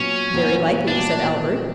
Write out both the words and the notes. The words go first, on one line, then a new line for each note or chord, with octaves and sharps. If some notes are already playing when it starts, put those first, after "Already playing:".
"Very likely," said Albert.
Already playing: A#2 F#3 B3 C#4 F#4
A#2 F#3 B3 F#4
A#2 F#3 B3 D4 F#4